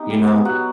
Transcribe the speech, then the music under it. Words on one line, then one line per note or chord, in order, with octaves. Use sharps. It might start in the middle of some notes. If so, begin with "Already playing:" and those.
You know?
Already playing: B3 D#4 G4
G3
B3
F#3 F#4 F#5